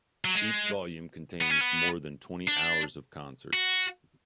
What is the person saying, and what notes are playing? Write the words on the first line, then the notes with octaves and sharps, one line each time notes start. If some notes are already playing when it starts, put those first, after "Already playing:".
Each volume contains more than twenty hours of concerts.
F#3
G#3
B3
C#4
B3
D4
F#4